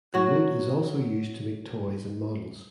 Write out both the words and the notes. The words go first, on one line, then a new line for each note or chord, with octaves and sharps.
The wood is also used to make toys and models.
F#3 F#4